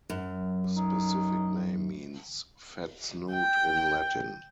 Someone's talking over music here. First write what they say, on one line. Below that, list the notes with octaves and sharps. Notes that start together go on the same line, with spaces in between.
The specific name means "fat snout" in Latin.
F#2
D#4
G5